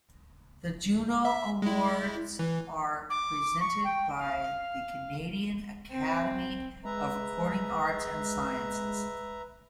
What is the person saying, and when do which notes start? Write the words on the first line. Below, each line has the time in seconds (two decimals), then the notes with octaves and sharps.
The Juno Awards are presented by the Canadian Academy of Recording Arts and Sciences.
1.25 E5
1.62 G#3 E4
2.39 E3
3.09 D6
3.60 C#6
3.84 G5
4.18 F5
5.91 C4
6.85 G#3 B4 E5 A#5